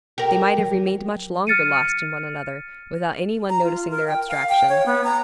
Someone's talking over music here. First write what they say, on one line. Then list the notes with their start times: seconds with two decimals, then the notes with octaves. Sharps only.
They might have remained much longer lost in one another, without any one noticing their abstraction.
0.18 G4 A#4
0.58 F#3
1.47 F6 A6 C#7 D#7
3.49 A#5
3.64 F4
3.91 A#4
4.08 G5
4.29 F5
4.49 G5
4.69 C#5
4.86 B3
5.04 A#5